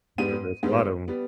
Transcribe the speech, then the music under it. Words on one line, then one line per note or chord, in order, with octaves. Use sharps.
Yeah, there's a lot of 'em.
G#2 G3 B3 D#7
G#2 G3 B3
G3 B3